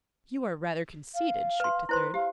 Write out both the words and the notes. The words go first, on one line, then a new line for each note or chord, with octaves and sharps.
"You are rather conceited," shrieked a third.
F5
B4 C6
E4 B4 C5 C6
G4 F5